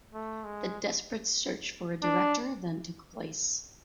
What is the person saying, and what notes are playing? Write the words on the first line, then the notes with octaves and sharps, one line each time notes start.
The desperate search for a director then took place.
A3
G#3
D4